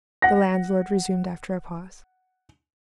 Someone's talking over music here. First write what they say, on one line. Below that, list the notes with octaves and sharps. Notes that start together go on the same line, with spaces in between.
The landlord resumed after a pause.
F#5 A#6